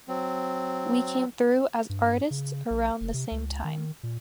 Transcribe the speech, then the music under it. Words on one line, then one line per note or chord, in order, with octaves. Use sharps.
We came through as artists around the same time.
F#3 C4
G2
C#3
A#1
F1
C3
C#2
D#3
A#2